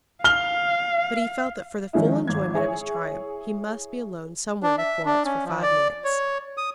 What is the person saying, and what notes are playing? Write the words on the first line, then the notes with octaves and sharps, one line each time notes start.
But he felt that for the full enjoyment of his triumph he must be alone somewhere with Florence for five minutes.
F5 F6 G7
D#3 F3 G#3 C#4 E4
G#1 G#6
E4 G#4 C#5
D4
E5
D4
C#4
F3
D5
C#5
D#6